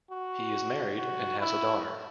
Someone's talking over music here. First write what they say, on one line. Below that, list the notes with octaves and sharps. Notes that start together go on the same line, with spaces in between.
He is married and has a daughter.
F#4
F#4
E4